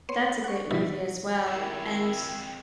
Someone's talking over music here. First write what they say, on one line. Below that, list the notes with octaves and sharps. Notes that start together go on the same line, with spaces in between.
That's a great movie as well and
B3 C#5 C6
F#5 C#6
B2 D#3 F3 F#3 D#4 E4
F2 D#3 G#3 E4 G5